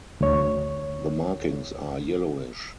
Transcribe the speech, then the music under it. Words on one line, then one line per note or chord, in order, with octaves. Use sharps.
The markings are yellowish.
D2 C#5